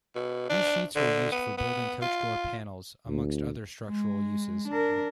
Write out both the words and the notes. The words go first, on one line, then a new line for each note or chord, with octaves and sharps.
These sheets were used for building coach door panels, amongst other structural uses.
B2
D4
D3
B3
B3
F4
D2
G#3
D4 A#4